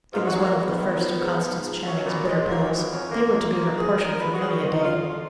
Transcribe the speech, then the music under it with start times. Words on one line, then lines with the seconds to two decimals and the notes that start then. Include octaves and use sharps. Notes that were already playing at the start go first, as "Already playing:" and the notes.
It was one of the first of Constance Channing's bitter pills; they were to be her portion for many a day.
0.12 G#2 F4
0.24 F#4
0.34 F#3 G#3
0.45 A#3
0.55 G#2 B3
0.77 D#3
0.98 F3
1.19 G#2
1.40 G#2
1.62 F3
1.83 F#3 C#4
2.04 A#2 B3
2.26 A#2 G#3
2.47 F#3 A#3
2.69 F3 B3
2.90 F2 C#4
3.10 F2 A#3
3.32 F3 A#3
3.53 F3 A#3
3.74 G#2 G#4
3.95 G#2 A#4
4.17 F3 B4
4.34 F#4
4.38 F3 G#4
4.49 F#4
4.59 F2 F4
4.70 D#4
4.81 F2 F4
5.02 F3